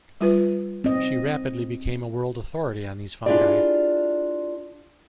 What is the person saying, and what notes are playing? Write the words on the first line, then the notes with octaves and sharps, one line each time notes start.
She rapidly became a world authority on these fungi.
G3 F4 B4
C4 D#5
D4 E4 F4 G4 G#4 D5